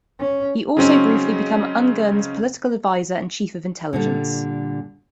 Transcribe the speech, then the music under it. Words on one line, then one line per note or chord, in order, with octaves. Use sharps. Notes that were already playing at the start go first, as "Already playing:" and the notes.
He also briefly became Ungern's political advisor and chief of intelligence.
C#4
C#3 F#3 C4 C#4 D#4
A#2 D3 G3